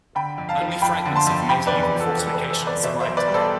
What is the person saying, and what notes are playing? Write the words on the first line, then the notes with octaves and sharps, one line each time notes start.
Only fragments of the medieval fortifications survive today.
D3 G5 B5
F2
F5 A5
F3
F2 G5 B5
D3
A5 C6
F2
C3 G5 B5
B4 D5
E2
B4
F3
A4
C4
A4
B4
C3
A4 C5
E2
B4 D5
B2 C5 E5
C5 E5
B1
B4 D5
G3
A4 C5